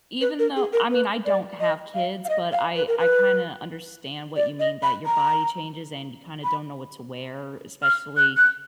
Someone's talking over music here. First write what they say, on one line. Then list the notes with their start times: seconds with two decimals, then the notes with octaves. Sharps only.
even though, I mean, I don't have kids, but I I kinda understand what you mean that your body changes and you kinda don't know what to wear, especially
0.21 B4
0.39 A#4
0.56 G#4
0.73 A#4
0.91 B4
1.25 D5
1.60 D#5
1.95 F5
2.25 F5
2.29 D#5
2.52 F5
2.76 B4
2.87 A#4
2.99 B4
4.36 D5
4.60 D#5
4.83 B5
5.06 A#5
6.44 B5
7.83 F6
8.17 F#6
8.37 F#6